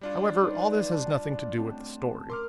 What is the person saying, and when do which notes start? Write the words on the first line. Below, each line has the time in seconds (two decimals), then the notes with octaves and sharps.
However, all this has nothing to do with the story.
0.01 G3 D4 F4 D5
0.42 C#4 D#4 B4
0.92 A5
1.58 A3 C4 C#4 A5
2.30 A#4 C6 D6 F6